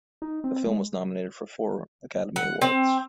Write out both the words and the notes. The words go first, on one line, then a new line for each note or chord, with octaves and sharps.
The film was nominated for four Academy Awards.
D#4
C4
G#3
F#5
C4